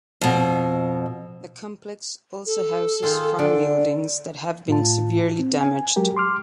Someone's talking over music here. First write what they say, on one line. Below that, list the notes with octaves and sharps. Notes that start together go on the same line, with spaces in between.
The complex also houses farm buildings that have been severely damaged.
F2 B2
A4
D#3 F4 G#4
D3
A2 F4 A5
C4
G#5
F#3 G#3 G4 A#4
C6 D6 F6